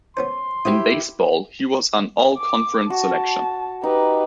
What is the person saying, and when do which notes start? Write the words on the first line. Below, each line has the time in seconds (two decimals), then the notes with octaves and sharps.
In baseball, he was an All-Conference selection.
0.17 B3 C#4 C5 C6
0.65 E4 F#4 G4 C5 D#6
2.38 D6
2.90 F#4 A5
3.83 D#4 G4 B4